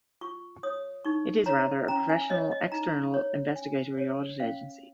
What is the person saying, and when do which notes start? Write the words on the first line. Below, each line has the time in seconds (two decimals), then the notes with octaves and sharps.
It is, rather, a professional external investigatory audit agency.
0.21 F4 C#6
0.63 C#5 D#6
1.05 D#4 C#6
1.46 C#5 A#5
1.88 C#4 A#5
2.09 G#5
2.30 C#5 D#5
2.52 D#5
2.72 D#4 A#5
3.14 C#5
3.56 C#4 G#5
3.98 C#5
4.40 C#4 F5